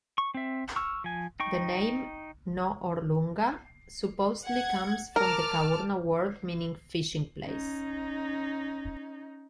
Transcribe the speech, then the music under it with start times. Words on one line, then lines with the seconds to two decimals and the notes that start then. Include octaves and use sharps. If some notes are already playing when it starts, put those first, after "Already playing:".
The name "No-orlunga" supposedly comes from the Kaurna word meaning 'fishing place'.
0.18 C#6
0.34 C4 E5
0.76 C#6 E6 F6
1.04 F3 G#5
1.40 D#4 G5 C#6
4.45 F#5 G#6
5.16 A#4 A5 D6 F6
7.43 C#4 D#4